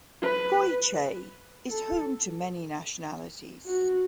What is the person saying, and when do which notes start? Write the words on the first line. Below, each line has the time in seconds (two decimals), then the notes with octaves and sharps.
Goychay is home to many nationalities.
0.22 B4
1.69 A4
3.66 F#4